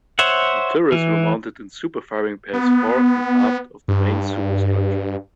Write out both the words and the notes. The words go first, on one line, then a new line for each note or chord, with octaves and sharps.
The turrets were mounted in superfiring pairs fore and aft of the main superstructure.
C5 C#5 E5 F#5
E3
B3
G2